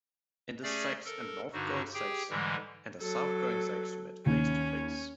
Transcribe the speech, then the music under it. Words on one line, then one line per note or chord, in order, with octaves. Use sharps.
In The Zax, a north-going Zax and a south-going Zax meet face to face.
A3 C#4 G#4 D5
A4 A#4
G2 D3 D#4 F#4
G4 G#4 G5
G#2 D3 E3 G3 G#3
F#3 A4
D#2 C#4